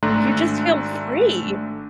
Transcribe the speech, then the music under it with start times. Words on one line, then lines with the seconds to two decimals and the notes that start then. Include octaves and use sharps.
You just feel free.
0.03 G#1 A3 D4 A#5 C6 F#6